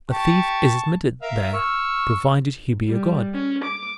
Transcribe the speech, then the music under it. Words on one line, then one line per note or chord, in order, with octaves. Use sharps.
A thief is admitted there, provided he be a god.
G4 A5 C#6
A#4 E5 F5
C#6 E6 F6
G3
C#4
D6